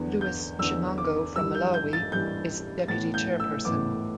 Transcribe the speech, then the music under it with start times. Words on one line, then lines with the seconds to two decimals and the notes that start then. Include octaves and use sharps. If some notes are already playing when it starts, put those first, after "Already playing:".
Louis Chimango from Malawi is Deputy Chairperson.
Already playing: E2 D3 B3
0.21 G6
0.59 E2 D3 B3 E6
0.98 D6
1.36 G2 E3 G3 E6
1.55 G6
1.74 G6
1.93 A6
2.12 G2 E3 G3 G6
2.88 A2 E3 B3 A6
3.14 G6
3.40 E6
3.65 A2 E3 B3 D6